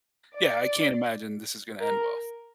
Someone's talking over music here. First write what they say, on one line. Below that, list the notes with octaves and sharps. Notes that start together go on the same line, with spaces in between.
yeah, I can't imagine this is gonna end well.
D5
A#4